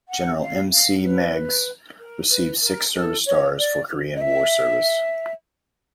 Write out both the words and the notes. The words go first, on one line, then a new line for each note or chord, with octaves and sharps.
"General M. C. Meigs" received six service stars for Korean War service.
F#5
F5
F5
B4
A#4
B4
A#4
A4
C#5
D5
D#5
E5